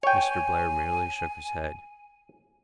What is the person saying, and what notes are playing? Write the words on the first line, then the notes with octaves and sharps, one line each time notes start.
Mr. Blair merely shook his head.
C#5 G5 G#5